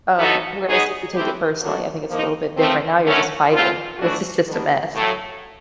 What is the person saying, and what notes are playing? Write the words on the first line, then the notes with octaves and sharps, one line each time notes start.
Um, whereas, if you take it personally, I think it's a little bit different, now you're just fighting, this is just a mess.
F#3 B3 D#4 F#4 A4
F#3 B3 D#4 G#4
E3 A3 C4 E4 G4
F#3 A#3 D4 F#4 A4
F3 A#3 D#4
C#3 F3 A3 C4
D3 F#3 A3 C#4
E3 A3 C4 F4
A2 E3 A3 D4 F#4
D#3 G3 B3 D4
A2 F#3 A3